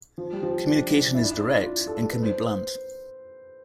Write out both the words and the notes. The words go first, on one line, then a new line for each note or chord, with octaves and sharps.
Communication is direct, and can be blunt.
F3
G3
F3
D4
E4
D4
E4
F4
A4
A4
B4
C5